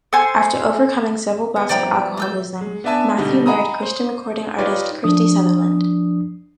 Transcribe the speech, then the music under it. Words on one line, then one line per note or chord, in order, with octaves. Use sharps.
After overcoming several bouts of alcoholism, Matthew married Christian recording artist Christy Sutherland.
A4 C5 G#5 C6
B3
F3 G3 E4 D5 G5 A#5
F4 D5 E6 G6
G#3
B3 D4 B4 E5 G#5 A5
B2 D3 G3 D#4
D#5 F#5 G#5 A#5 B5 D#6
C5
D#4 F4 G4 B4 C#5 D5
F3 D4 D#6